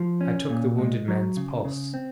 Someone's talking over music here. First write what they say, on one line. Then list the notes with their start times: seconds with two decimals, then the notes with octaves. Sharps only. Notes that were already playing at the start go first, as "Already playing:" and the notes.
I took the wounded man's pulse.
Already playing: F3
0.21 C#4
0.50 A#2
0.78 G#3
1.08 F#3
1.37 C#3
1.65 C#3
1.94 C4